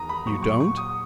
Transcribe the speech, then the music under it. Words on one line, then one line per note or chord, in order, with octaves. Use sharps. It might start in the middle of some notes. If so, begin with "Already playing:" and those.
"You don't?"
Already playing: E2 D#3 A#5 D#6
B5
A#2 F#3 C#6
C#6
C#6
D#6